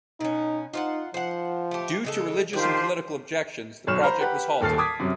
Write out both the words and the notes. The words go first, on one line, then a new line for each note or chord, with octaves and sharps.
Due to religious and political objections, the project was halted.
B2 C#4 D#4
D#4 F4 C5 F#5
F3 C5 F#5
A3 G4
C#3 G#3 A4
D#3 D4 F4 G4 C5
B1 F#3 C#5 C#6 F6 E7
C5 A#5 B5 F6
G4 B4 F#5
D#1 D#2 A4 F6 A6 C7
A5 D6 D#6 G#6 B6
F#2 C3 F#3